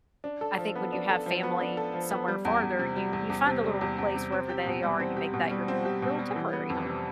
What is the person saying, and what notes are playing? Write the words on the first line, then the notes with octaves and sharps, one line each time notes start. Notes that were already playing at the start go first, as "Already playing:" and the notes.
I think when you have family somewhere farther, you you find a little place wherever they are and you make that your little your little temporary home.
D4
A4
F3
B3
D4
A4
F3
B3
D4
A4
F3
B3
G3
E2
E2
C3
G3
E2
E2
C3
G3
E2
E2
C3
C4
G4
B2
G3
C4
G4
B2
G3
C4
G4
B2
G3
E3
B3
F2
C3